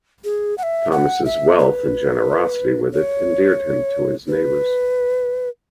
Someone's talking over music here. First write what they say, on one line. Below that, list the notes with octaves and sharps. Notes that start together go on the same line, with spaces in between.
Thomas's wealth and generosity with it endeared him to his neighbors.
G#4
F#5
E5
F#5
E5
B4
C#5
B4